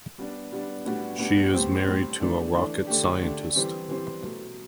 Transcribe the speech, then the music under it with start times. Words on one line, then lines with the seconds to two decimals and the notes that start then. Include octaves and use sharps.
She is married to a rocket scientist.
0.18 G3 B3 D4
0.52 G3 B3 D4
0.86 A2 G3 B3 D4 F#4
1.18 A2 G3 B3 D4 F#4
1.53 A2 G3 C4 G4
1.87 A2 G3 C4 G4
2.20 E3 A3 D4
2.53 E3 A3 D4
2.87 D3 A3 D4 G4
3.21 D3 A3 D4 G4
3.55 E3 G3 C4 G4
3.88 E3 G3 C4 G4
4.22 B2 F#3 A3